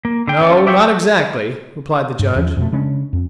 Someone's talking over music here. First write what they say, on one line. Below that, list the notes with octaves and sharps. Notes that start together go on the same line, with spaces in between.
"No--not exactly," replied the Judge.
A#3
D3 G5
C#4 G4 A4 C#5
D5 E5 G5 G#5 C#6
F#4
G2
E2 F3 C#4
F2 B2 A3
C#3 G#3 C#4 D4
F2